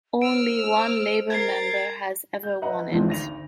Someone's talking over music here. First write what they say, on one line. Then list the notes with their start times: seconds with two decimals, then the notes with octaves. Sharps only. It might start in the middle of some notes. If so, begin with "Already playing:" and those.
Only one Labor member has ever won it.
0.22 C5 E6 F6 D7
1.30 A#4 G#6 A6 C7
2.43 G6
2.62 B4 D#5 E5 F#5 A#5
2.91 E2 G#2 E3 F3 G#3 C4
3.07 G#1 D2 A#6 F7